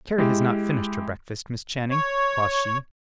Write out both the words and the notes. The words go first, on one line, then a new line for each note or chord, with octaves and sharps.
"Carry has not finished her breakfast, Miss Channing," quoth she.
G#3 E4 G4
C#5